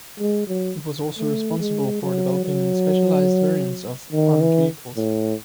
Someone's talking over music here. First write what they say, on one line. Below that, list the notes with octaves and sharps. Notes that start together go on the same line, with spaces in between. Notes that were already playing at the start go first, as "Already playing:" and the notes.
It was also responsible for developing specialised variants of armoured vehicles.
G#3
F#3
A3
G#3
F#3
F#3
D#3
E3
A2